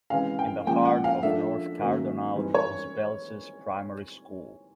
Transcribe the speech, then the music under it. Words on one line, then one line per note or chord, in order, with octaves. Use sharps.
In the heart of north Cardonald was Belses Primary school.
C3 E3 G#3 C#4 F5
G5
A#2 F3 G#3 C#4 G5
F#5
F5
F3 A3 D4 E5
D#3 F#3 A#3 C#4
E3 G3 C4 D#4
C#5